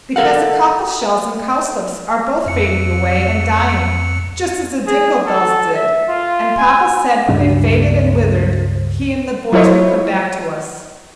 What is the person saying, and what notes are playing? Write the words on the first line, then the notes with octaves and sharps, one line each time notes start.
"Because the cockle-shells and cowslips are both fading away and dying, just as the dingle-bells did, and papa said when they faded and withered he and the boys would come back to us."
A4 A#4 F5 F#5
F2 C#7
G#4
A4
E5
F4
G#5
C#2 G2 G3 D4
F#3 E4 F4 C5 C#5 D#5